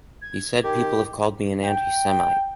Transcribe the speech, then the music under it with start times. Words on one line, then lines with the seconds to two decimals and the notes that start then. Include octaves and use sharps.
He said People have called me an anti-Semite.
0.22 G#6
0.63 D#3 G4
1.65 G5